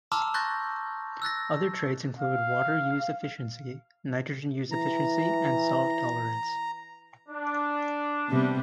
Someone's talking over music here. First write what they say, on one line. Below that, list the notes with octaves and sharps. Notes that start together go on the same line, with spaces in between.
Other traits include water use efficiency, Nitrogen use efficiency and salt tolerance.
A5 A#5 C6 D6 E6 F6
C6 C#6 F#6 G6 A6 A#6
E6 F#6 A6 A#6
F5
E3 A#5
D4
C3 G3 B3